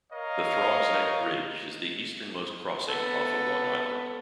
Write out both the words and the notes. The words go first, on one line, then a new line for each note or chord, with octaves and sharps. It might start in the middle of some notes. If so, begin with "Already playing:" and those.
The Throgs Neck Bridge is the easternmost crossing off of Long Island.
A#4 C#5 D#5 F5
B3 A4